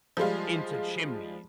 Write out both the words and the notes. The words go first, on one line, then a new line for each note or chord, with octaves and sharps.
into chimneys
F3 G3 G#3 F4